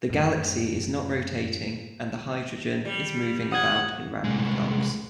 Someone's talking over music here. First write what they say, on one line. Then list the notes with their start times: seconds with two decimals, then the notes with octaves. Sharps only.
The galaxy is not rotating and the hydrogen is moving about in random clumps.
0.10 F#2 A2
2.85 G3
3.52 F#5 D#6 G#6
4.24 C2 G#3